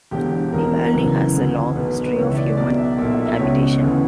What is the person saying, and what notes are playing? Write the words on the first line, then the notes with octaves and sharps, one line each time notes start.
The valley has a long history of human habitation.
E1 E2 D3 G4
E1 E2 B2 A#4
F#1 F#2 C#3 E3
D2 C#3 E3
B1 B2 B4
B4
C#2 C#3 E3 C#5
E5
D5
B1 B2 D5
E5
B1 A#2 E5
E5
E5
C#2 B2 C#5
D2 C#3 E3